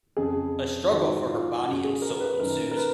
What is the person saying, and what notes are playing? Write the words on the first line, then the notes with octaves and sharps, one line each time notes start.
A struggle for her body and soul ensues.
F2 C#3 G#4
G#2 D#3 F#4
F4
F#2 C#3 F#4
G#4
A#4
B4
F#2 D#3 A#4
A#4
B4